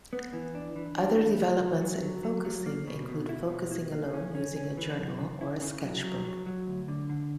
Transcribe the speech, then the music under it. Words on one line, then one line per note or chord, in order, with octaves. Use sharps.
Other developments in Focusing include focusing alone using a journal or a sketchbook.
B3
E3
D4
E3
D4
E3
C#2
C#2
F#3
F#3
F#3
F#3
A#3
B2
B2
E4
B2
E4
A#3
C#4
C#4
C#4
E3
F#2
C#3
E4
C#3
F#3
F#3
F#3
F#3
D2
D3
D3